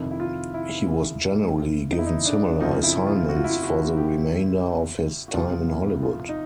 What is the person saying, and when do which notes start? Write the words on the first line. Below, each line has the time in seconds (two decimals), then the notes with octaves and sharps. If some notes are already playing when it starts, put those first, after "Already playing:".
He was generally given similar assignments for the remainder of his time in Hollywood.
Already playing: F2 C3 D#3 E4
0.11 E4
0.20 F4
0.54 E4
1.92 D#4
1.99 E4
2.06 D#4
2.25 D4
2.60 F2 C#3 F3 D#4
2.83 E4
3.07 F4
3.29 F#4
3.37 F4
3.44 E4
3.52 F4
3.63 F#4
3.97 G4
5.28 F#4
5.34 E2 C3 F3 F4
5.69 E4
6.03 F4
6.29 D#4